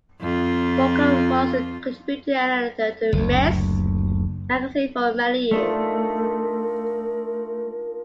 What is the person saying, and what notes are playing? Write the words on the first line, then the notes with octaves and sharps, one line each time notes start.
Walker was a contributing editor to "Ms." magazine for many years.
F2 F4
F#1 D2
A3 D4 D#4 F4 A#4